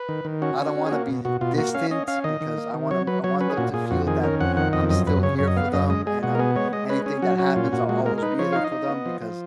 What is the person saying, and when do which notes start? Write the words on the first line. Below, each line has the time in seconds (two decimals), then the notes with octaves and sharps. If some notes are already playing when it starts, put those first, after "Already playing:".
I don't wanna be distant, because I want 'em I want them to feel that I'm still here for them, and, um, anything that happens I'll always be there for them, because
Already playing: B4
0.09 D#3
0.25 D#3
0.42 C#4 F#4
0.58 C#4
0.67 F#4
0.75 C#4
0.86 G#4
0.91 A#3 F#4
1.08 B2
1.25 B2 F#4
1.41 B2 F4
1.58 A#3 F#4
1.75 C#4 F5
1.91 C#4 D#5
2.08 C#4 F5
2.24 D#3 D#5
2.41 D#3
2.58 A#3
2.74 D#3
2.91 F#3 C#5
3.07 F#3 B4
3.24 F#3 C#5
3.41 C#4 B4
3.50 G#4
3.57 A#2 F#4
3.74 A#2 G#4
3.91 F2 F#4
4.07 D#3 G#4
4.23 C#4 A#4
4.41 F2 F#5
4.57 D#3 F#5
4.73 F2 D#5
4.90 F#2 D#5
5.07 F#2 B4
5.23 C#3 C#5
5.39 F#2 C#5
5.48 D#5
5.56 B3 F5
5.73 F#2 D#5
5.90 G#3 D#5
6.07 G#3 G#4
6.23 B2 F#4
6.35 A#4
6.39 B3 G#4
6.56 G#3 C#5
6.73 G#3 D#5
6.89 C#4 B4
7.06 C#4 G#4
7.22 F#3 F#4
7.39 C#4 F#4
7.56 A#2 F4
7.73 A#2 F#4
7.89 G#3 F#4
8.06 G#3 A#4
8.18 A#4
8.22 D#4 B4
8.39 F3 C#5
8.52 D#4 F5
8.64 D#5
8.72 D#4
8.89 B3
9.06 F3
9.22 F3